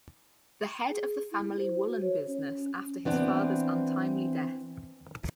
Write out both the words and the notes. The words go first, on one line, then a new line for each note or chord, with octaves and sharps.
The head of the family woolen business after his father's untimely death.
G#4
E4
C5
F#4
C#5
C#4
E3 B3 C4 D4